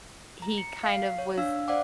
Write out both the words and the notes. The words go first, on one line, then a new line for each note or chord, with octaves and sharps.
he kind of was
A#5
C#7
F5 C7
C#5
D4 F5 E6
C5 D5 F5 F#5 D6